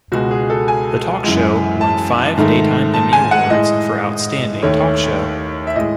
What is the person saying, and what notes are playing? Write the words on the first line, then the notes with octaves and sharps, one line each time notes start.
The talk show won five Daytime Emmy Awards for Outstanding Talk Show.
C#2 B2 G#3 F#4
G#4
A4
G#5
F#2 E3 G#3
A5
G#2 D#3 A3
A5
G#5
F#5
A2 G#3 D#5
D#2 D#3 A3 C#5
E5
A2 G#3 D#5